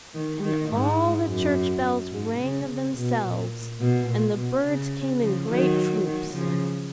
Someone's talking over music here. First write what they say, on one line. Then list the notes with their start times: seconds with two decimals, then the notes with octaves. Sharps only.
And all the church bells rang of themselves and the birds came in great troops.
0.14 D#3
0.41 D#3
0.69 G#2
1.26 F#2
2.10 G#2
2.39 C#3
2.67 C#3
2.95 B2
3.23 A#2
3.79 B2
4.07 A#2
4.36 B2
4.63 C#3
5.20 C#3 F3
5.48 D#3 F#3
6.04 D#3 F#3
6.32 C#3 F3